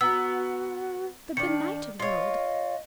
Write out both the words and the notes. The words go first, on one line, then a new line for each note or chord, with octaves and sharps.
The benighted world!
B3 F#4 A#5 E6
D#3 D4 D5 C#7
F4 C#5 D#5